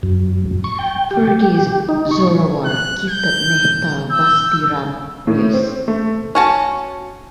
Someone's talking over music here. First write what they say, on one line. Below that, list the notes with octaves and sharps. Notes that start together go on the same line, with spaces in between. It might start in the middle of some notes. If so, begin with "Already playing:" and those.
For this Zorawar gifted Mehta Basti Ram Rs.
F#2
C#6
G5
G4
D#4
C#6
F#6
G6
E6 G6
A2
C4
A3
C#4 F#4 A5